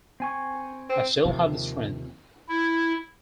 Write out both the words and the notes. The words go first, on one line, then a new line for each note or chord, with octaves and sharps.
I still had the strength.
C4 G#5 C#6
C4
D#2 C3 F3
E4